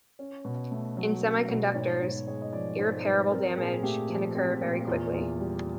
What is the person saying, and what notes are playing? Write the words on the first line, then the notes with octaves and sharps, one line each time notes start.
In semiconductors, irreparable damage can occur very quickly.
C#4
B2
A3
F#3
C#4
B2
D5
G#2 C#5
G#2 C#5
G#3 C#5
D#5
F3 D5
C#5
G#2 C5
G#2 B4
C4 A#4
A#2 G#4
A3 G4
F3
C4
A#2
E2 F4
E2
G3